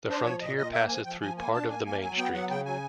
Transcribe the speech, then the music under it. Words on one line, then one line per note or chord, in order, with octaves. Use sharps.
The frontier passes through part of the main street.
D4 C5
F3 C#5
A#2 D#5
A#2 D#5
A#3 E5
F3 G#5
F3 G5
F3 G#5
A#3 G#5
D4 A5
A#3 G#5
A#3 G#5
F#3 G#5
B3 G5
F#3 F#5
C#3 G5
F#3 G#5